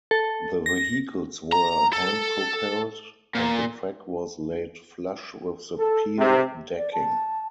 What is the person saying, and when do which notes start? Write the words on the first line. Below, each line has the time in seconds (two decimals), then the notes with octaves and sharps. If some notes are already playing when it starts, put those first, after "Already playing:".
The vehicles were hand-propelled, and the track was laid flush with the pier decking.
0.11 A4
0.66 A#6
1.52 A#5
1.93 A4
3.35 A#2
5.78 A4
6.18 C3
6.77 D5
6.93 A5